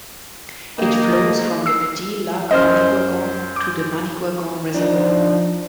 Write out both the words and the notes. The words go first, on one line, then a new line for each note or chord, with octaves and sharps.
It flows from the Petit lac Manicouagan to the Manicouagan Reservoir.
D#3 A#3 D#4 D#5
E6 C7
F#2 C5 D#5 F6
D6 G6
F3 D4 D#4